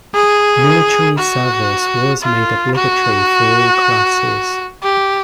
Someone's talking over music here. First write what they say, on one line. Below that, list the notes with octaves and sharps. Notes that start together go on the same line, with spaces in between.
Military service was made obligatory for all classes.
G#4
F#4
F4
F#4
G4